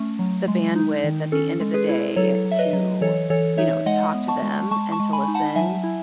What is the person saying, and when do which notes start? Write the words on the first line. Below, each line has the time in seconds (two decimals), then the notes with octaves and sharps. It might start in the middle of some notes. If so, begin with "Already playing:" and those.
the bandwidth at the end of the day to, you know, to talk to them and to listen.
Already playing: A3 C#4
0.19 F#3
0.48 G#3
0.75 D#4
1.04 D#3
1.32 C#4 A4
1.60 G#3
1.74 G#4 B4
1.89 E4
2.16 F#3 A4 C#5
2.45 F#3
2.51 E5
2.59 B4 D#5
2.73 F#3
3.01 E3 A4 C#5
3.30 E3 A4 C#5
3.58 D#4 C#5 E5
3.86 G#3 D#5 F#5
4.14 B3
4.28 A5 C#6
4.42 G#3
4.71 G#3 A5 C#6
4.92 A5 C#6
5.00 G#3
5.13 G#5 B5
5.28 D#4
5.34 F#5 A5
5.56 F#3 E5 G#5
5.84 E4